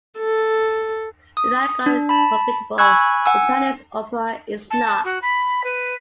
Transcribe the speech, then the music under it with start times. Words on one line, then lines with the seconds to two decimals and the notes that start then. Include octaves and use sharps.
The nightclub is profitable; the Chinese opera is not.
0.19 A4
1.37 D#6
1.86 D4
2.09 A5 B5
2.78 G#5 B5 C#6 E6 F#6 G#6
3.26 F#5 G#5 E6
4.70 A5
5.04 F#4
5.22 B5
5.64 B4